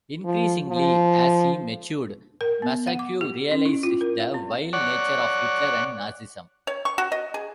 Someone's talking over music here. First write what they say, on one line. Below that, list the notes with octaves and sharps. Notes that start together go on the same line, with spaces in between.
Increasingly as he matured, Massaquoi realized the vile nature of Hitler and Nazism.
F3
F3
A#4
B3
F#5
D6
G4
C#4
E4
F4
A#4
F5
C4
C#5 D5 F#5
C#5
C#6
F#4
D#5
G#4